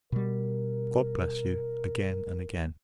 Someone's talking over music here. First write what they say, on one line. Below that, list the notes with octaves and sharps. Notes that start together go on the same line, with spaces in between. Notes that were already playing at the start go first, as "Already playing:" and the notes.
God bless you, again and again!
B2 G3 A#4